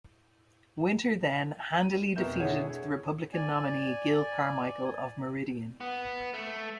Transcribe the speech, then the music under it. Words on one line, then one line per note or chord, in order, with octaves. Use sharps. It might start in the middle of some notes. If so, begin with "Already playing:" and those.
Winter then handily defeated the Republican nominee Gil Carmichael of Meridian.
D#7
F1 B2 A#4 E5 G6 E7
D4 E4 G#4 C#5 F#5
D5 G#5
B3
A3